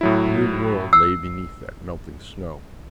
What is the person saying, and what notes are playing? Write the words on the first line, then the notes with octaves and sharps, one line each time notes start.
A new world lay beneath that melting snow.
A2 F#3 E4
E6 C7